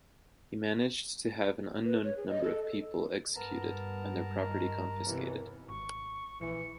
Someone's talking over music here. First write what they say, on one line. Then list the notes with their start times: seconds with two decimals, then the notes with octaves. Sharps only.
He managed to have an unknown number of people executed and their property confiscated.
1.85 B4
2.04 C#5
2.17 G#4
2.29 D#5
2.43 A4
3.36 G2 B3 A#4 A5 A#5
4.42 D#3
5.06 D#2 C3 E3 B3
5.68 G#1 C#6
6.41 A#1 E3 C#7